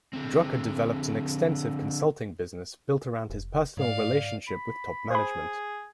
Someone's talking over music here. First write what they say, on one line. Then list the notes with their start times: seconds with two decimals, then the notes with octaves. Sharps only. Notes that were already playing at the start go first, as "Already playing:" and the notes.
Drucker developed an extensive consulting business built around his personal relationship with top management.
0.14 D3 C4
3.30 F1
3.77 G#2 D5 F5
4.48 B5
5.10 G#4 C5 B5